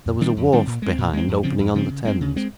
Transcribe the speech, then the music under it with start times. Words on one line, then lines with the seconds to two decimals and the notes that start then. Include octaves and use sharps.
There was a wharf behind, opening on the Thames.
0.06 F2
0.21 D#3 G3 C4
0.37 F2
0.52 D#3 G3 C4
0.67 A#2
0.82 G#3 C4
0.98 A#2
1.13 G#3 C4
1.28 F2
1.43 C#3 F3 C4
1.59 F2
1.74 C#3 F3 C4
1.90 C#3
2.05 G#3 C4
2.21 C#3
2.36 G#3 C4